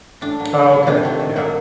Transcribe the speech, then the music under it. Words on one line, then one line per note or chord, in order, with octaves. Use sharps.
Oh, okay. Yeah.
A2 D4
F#3 A#3
D3
F#3 A#3
C3 D4
D#3 A3
A#2
F#3 A#3